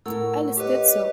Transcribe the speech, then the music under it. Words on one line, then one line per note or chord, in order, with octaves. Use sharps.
Alice did so.
A2 A#4 F#5 C#6 E6
G4 B4 C#5 D#5 D6